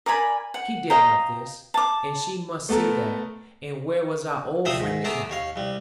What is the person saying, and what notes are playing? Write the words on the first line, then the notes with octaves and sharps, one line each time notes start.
She did love this, and she must see that, and where was our old friend the cat?
A#4 D5 G#5 B5
F#5
D#5 F5 G5 A#5
A5 D6
A3 B3 A4 A#4
D2 C3 F3 C5 E5 D#6
G#2
A3 B3 G#4 A5 A#5 D6
D#2 C#5 F5
C2 G3